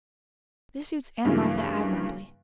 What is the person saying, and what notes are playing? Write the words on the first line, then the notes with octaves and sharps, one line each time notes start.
This suits Aunt Martha admirably.
G2 C#3 E3 F#3 A#3